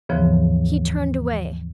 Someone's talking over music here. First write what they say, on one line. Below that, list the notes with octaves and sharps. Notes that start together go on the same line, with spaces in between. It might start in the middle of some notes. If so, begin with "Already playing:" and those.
He turned away.
D#2 G#2 C#3 E3 F3 B3